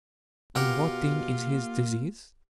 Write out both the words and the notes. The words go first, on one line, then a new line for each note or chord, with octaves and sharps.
'And what then is his disease?'
B2 F4 G4 A#4 F#5
A#3